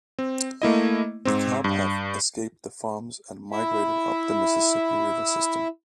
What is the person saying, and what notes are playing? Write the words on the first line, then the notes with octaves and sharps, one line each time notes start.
The carp have escaped the farms and migrated up the Mississippi River system.
C4
A3 A#3 E4 D#5
G#2 C4
G2
E4 E5